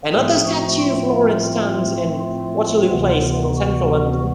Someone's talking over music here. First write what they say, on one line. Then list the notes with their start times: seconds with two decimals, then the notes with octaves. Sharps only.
Another statue of Lawrence stands in Waterloo Place in central London.
0.13 A2 F3 A3 C4 G#4
0.47 F#4
0.82 F4
2.20 F4
2.89 D2 C3 E3 G3 B3
3.58 F#4